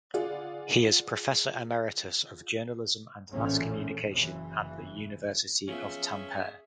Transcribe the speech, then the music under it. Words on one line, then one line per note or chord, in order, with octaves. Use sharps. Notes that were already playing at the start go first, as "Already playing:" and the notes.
He is Professor Emeritus of Journalism and Mass Communication at the University of Tampere.
F4 G#4 D5 F#5
A#1 E2 A2 D3 A3 C#4
F#1 E3
F3 B3 C#4 G#4 E5